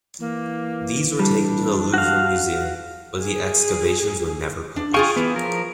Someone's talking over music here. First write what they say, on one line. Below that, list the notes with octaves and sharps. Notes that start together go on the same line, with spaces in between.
These were taken to the Louvre Museum, but the excavations were never published.
E3 A#3
G3 D4
F#4 F5
G#4
D4
F4 G#4 F5 G5 G#5 C#6
E3 B3
F3 A#4